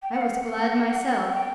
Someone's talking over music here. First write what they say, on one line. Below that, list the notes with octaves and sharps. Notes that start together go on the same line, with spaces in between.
I was glad myself.
G5
F#5
F5
F#5
G5